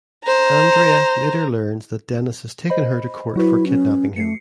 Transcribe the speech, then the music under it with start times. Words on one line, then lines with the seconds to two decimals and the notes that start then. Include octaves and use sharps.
Andrea later learns that Dennis has taken her to court for kidnapping him.
0.24 C5 A#5
2.70 C5 D#5 B5
3.36 F#3 E4 F#4 B4
3.67 C#4
4.16 A3 C7 C#7